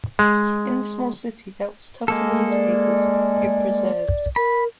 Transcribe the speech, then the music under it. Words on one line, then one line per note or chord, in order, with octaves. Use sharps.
In a small city that was tough on newspapers, it persevered.
G#3
G#3 A#3 A4
D5
A#4 B5